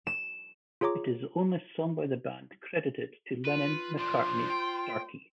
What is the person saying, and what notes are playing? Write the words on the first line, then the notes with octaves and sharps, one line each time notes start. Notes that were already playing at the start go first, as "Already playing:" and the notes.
It is the only song by the band credited to Lennon-McCartney-Starkey.
E7
F4 G#4 C#5 A#5 D6
F4 B4
F3 D4 C5
G5